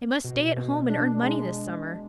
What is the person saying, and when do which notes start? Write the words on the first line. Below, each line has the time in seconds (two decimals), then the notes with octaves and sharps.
I must stay at home and earn money this summer.
0.25 B2
0.57 B2
0.90 D4
1.23 G#3